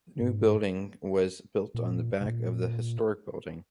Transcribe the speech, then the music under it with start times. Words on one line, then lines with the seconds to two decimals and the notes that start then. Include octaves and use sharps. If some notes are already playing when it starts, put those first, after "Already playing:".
The new building was built on the back of the historic building.
0.21 G#2
1.74 A#2
2.21 B2
2.26 A#2